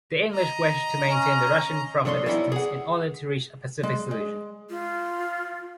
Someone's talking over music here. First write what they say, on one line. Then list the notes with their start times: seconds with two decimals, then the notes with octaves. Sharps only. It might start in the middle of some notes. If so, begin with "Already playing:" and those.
The English wish to maintain the Russian from a distance in order to reach a pacific solution.
0.33 D#5 A#5
1.09 C#4
2.05 D3 F3 C#5 B5 C6
2.26 E3 G3 B3 D#4 E4
2.52 G#4 F#5
3.83 G#3
4.11 G#3
4.70 F4